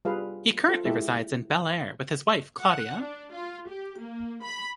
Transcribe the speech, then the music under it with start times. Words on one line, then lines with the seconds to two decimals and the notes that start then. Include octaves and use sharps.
He currently resides in Bel Air with his wife Claudia.
0.05 G3 F4 G#4 B4 F5
0.68 F4 A4
0.85 G#3 E4 G4 A4 E5
2.60 F#5
3.01 D4
3.32 F4
3.70 G4
3.99 A#3
4.43 B5